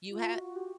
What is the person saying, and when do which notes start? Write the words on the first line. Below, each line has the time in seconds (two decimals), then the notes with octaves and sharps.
You ha
0.09 F4
0.32 F#4
0.56 G4